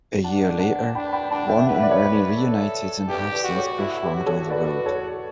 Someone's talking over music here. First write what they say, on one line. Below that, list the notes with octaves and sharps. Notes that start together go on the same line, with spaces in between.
A year later, Ron and Ernie reunited and have since performed on the road.
D4 F#5 A5
F#5 A5
D4 G5 B5
G5 B5
D4 F#5 A5
E5 G5
B4 F#5
E5
D5
C#5 E5
A4
G4 B4 D5
B4 D5
F#4
B4
A4 C#5
E4
G4 B4
F#4
A4 C#5
F#4 B4 D5
B4
A4 C#5